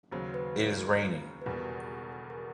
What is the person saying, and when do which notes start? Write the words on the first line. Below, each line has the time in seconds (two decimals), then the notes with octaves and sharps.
It is raining.
0.11 D#2 C#3 F#3 C5
0.34 B4
1.42 B4
1.46 E1 E2 B2 G3 A#4
2.12 A4
2.30 A#4